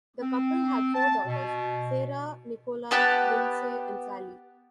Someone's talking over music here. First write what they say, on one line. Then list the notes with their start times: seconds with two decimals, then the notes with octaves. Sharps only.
The couple had four daughters: Sarah, Nicola, Lindsay and Sally.
0.21 C4
0.94 A5
1.25 B2
2.91 B3 G4 A5 F#6